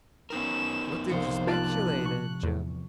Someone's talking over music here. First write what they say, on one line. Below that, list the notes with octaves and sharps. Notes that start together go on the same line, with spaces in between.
"What did you speculate in, Jim?"
B3 C#4 D#4 A#4 E7
C2 F3 C5 C#7
F4 A5 D6 F#6
C#6
E2